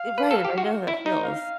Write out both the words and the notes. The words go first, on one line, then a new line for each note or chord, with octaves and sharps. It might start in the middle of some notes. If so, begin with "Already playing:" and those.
Eh, right and I know how that feels.
Already playing: F5
B4
A4
G4
F#4
E4
D#4
F5